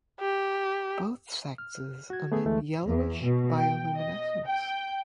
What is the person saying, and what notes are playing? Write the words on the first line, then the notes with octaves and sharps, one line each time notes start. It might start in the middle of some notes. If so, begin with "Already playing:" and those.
Both sexes emit yellowish bioluminescence.
G4
F6
F#4 G#6
A3 B3 G#4 E5
D2 E3 G#3 A3
E2
B2
G5
D#5
G5